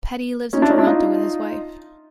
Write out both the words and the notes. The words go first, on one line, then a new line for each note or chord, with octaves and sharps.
Peddie lives in Toronto with his wife.
C#4 D#4
D4 E4
C#4 D#4
D4 E4
D#4 F4